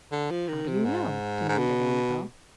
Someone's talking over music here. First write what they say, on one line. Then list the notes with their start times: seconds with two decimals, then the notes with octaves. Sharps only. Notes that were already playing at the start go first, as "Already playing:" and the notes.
"How do you know?" demanded Annabel.
0.12 D3
0.31 F3
0.49 D#3
0.68 C3
0.85 G#2
1.48 G#2
1.58 B2